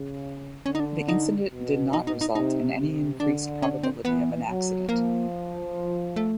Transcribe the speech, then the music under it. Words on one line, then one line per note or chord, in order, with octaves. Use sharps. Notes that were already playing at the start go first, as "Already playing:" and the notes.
The incident did not result in any increased probability of an accident.
Already playing: C#3
D3 C#4
D#4
D4
D#4
B2
D#4
D#4
D#4
C3 D#4
C3
D3 D4
C#4
C4
E3 B3
F#3
F3 A#3
A3